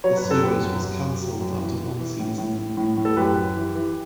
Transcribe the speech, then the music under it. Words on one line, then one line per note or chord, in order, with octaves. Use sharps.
The series was canceled after one season.
F#3 C#5
B4
F#2
A4
F#2 G4 B4
F#2
F#2
F#2
F#3
F#2
E3
E3
E3
A2
A2
A2
A2
A2
A4
F#2 G4 B4
F#2
E3
E3